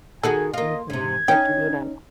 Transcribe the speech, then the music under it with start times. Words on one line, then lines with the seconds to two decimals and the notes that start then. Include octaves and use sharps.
Mhm, that you do not
0.23 D#3 F#4 G#4 A4 G#5
0.54 A#3 F4 D#5
0.90 G#2 C3 G#6
1.28 C#4 D#4 G5